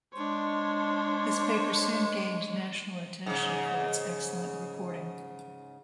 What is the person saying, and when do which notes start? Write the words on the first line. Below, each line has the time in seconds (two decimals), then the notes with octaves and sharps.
This paper soon gained national attention for its excellent reporting.
0.14 G#3 D4 C5 C#5
3.26 G#2 C#3